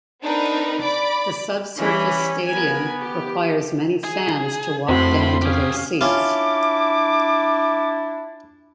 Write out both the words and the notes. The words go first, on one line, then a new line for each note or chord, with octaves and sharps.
The subsurface stadium requires many fans to walk down to their seats.
C4 D4 D#4 A#4 B4
D5 B5 D6
E3 G3 C#4 B5
B3 A#4 G#5 B5
G4
G#4
F2 A2 C4 F#4 C5 B5 C6
C#4 G4 G#4 F5
C#4 D4 E4 F4 D6